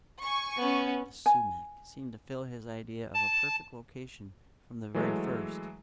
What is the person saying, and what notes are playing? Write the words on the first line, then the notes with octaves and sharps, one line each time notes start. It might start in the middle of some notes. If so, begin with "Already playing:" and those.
The sumac seemed to fill his idea of a perfect location from the very first.
G#5 C#6
B3 C#4
G#5
A5
E3 F#3 G#3 A3 A4